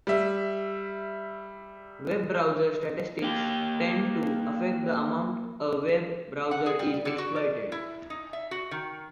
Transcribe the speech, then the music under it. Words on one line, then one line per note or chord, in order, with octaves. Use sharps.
Web browser statistics tend to affect the amount a Web browser is exploited.
G3 E5
A#3 G4
F#5
G#4
G3
D3
F#4
D5
E4
D#4
E5
F#4
D#3